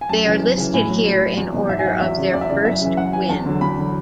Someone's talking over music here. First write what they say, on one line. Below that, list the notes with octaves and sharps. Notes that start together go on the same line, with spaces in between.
They are listed here in order of their first win.
G#5
F#2 A5
C#3 E3
F#2
C#3 E3
A2 G#5
F#3
A2
F#3
E2
B2 F#3
G#2 E5
G#5
F#3 F#5
E2 E5
C#3 F#3
E2 D5
E5
C#3 E3 D5
F#2 E5
C#3 E3
F#2 F#5
E3 G#5
E2 A5
D3 F#3
E2 B5
D3 F#3